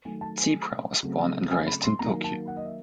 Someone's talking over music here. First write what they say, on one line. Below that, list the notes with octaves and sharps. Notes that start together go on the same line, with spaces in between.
Zeebra was born and raised in Tokyo.
D#3 F#3 A3 G#5
A5
G#5
C#3 F#3 A3 C4
G#5
B5
C6
D#3 F#3 A#3 A#5
A5
F#5
D#5
E5